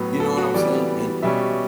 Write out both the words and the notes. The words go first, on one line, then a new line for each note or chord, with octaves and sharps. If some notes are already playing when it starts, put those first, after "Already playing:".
You know what I'm saying? And
Already playing: A2 F#3 B3
A4
F#4
E3 G3 B3 D5
B2 G3 C#4 E5